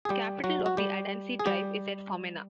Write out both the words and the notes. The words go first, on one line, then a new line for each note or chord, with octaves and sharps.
The capital of the Adansi tribe is at Fomena.
G#4
G3 G4
F#3 F#4
F#4
G3 G4
G#4
G3 G4